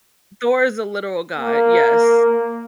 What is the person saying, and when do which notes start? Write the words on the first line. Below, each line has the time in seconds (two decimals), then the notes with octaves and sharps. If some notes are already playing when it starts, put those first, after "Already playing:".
Thor is a literal god, yes.
1.39 A#3